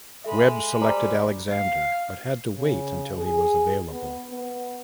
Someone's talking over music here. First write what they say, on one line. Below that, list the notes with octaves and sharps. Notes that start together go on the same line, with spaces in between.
Webb selected Alexander, but had to wait until he was available.
G#3 A4 E5 B5
G3 C5 A#5 D6
F5
C#3
G#4
B3
B3